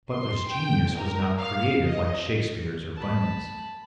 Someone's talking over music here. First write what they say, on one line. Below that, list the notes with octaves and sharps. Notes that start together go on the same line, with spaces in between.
Butler's genius was not creative like Shakespeare's or Bunyan's.
C6
G5
A#4
F5
D#5
A5 B5